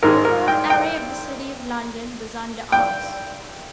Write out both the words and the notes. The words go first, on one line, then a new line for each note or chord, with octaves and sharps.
The whole array of the City of London was under arms.
G#1 G#2 D#3 G#3 A#4
A#4
G5
G5
G5